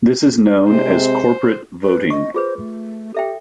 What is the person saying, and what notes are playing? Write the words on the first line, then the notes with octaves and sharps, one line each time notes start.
This is known as corporate voting.
C3 G#3 C4 C5
B4
D#5 C#6
F4 G#4 B4 C5
A3
G4 A4 E5 G5